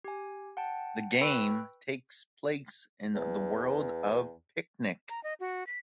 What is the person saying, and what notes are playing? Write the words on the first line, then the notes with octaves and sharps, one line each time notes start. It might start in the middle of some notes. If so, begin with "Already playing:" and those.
The game takes place in the world of Picnic.
G4 G#5
F#5 G5 A5
B4 G5 B5 C#6 E6 F#6
E2
A#5
D#5
F#4
B6